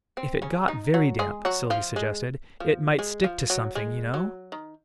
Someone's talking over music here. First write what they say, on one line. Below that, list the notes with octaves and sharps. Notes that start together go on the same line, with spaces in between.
"If it got very damp," Sylvie suggested, "it might stick to something, you know."
C4
C#3 C#4
D#3 D#4
F#3 F#4
G#3 G#4
F#3 F#4
F3 F4
G#3
F3
G#3
F3
F#3
G#3
F#3
D#3